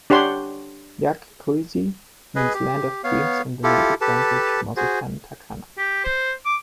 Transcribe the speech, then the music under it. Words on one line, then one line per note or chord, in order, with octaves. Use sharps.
'Jacj Cuisi' means 'Land of Dreams' in the native language Mosetan Tacana.
D4 G4 C#5 F#5 C6
G#4 B4 D#5
G4
B3 C#5 F5
E4 F4 G4 A4
G4 A4 B4 A5
F#4 G#4 C5
G4
C5
D6